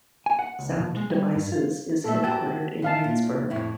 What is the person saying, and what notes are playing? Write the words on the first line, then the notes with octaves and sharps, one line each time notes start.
Sound Devices is headquartered in Reedsburg.
G#5
F#5
C#2
B2
G#3
G3
G2
F4
A#2 A3 A4 E5
F#4 G4 A5
E3 D#4 F5 A5
A#2
F2 A2 E4